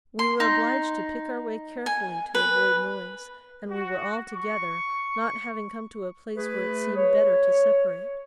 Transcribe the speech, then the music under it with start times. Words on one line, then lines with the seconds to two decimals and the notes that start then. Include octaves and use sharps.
We were obliged to pick our way carefully to avoid noise, and we were all together, not having come to a place where it seemed better to separate.
0.19 C6
0.40 D#4
1.86 G#5
2.35 B4
3.71 F#4
4.34 C#6
6.36 A3 G#4 B4
6.96 C#5